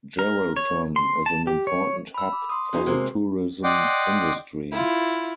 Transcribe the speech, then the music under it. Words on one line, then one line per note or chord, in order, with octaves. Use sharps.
Geraldton is an important hub for the tourism industry.
A#4
C#5
C6
A5
G4
C#5
B5 E6
D6
C6 D#6
G2 C#3 B3 D#4 F#4
C3 G#3 A#3 C5
D5 D#5 F#5 G5 C6 D6
E4 F4